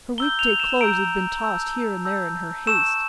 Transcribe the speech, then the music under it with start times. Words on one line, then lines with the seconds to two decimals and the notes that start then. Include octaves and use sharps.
Her week-day clothes had been tossed here and there in her haste.
0.18 A#5 E6 G6 G7
0.39 F7
0.60 E7
0.80 A#5 E6 G6 D7
1.43 A5 E6 G6
2.05 A5 E6 G6
2.67 A5 C#6 E6 G6 E7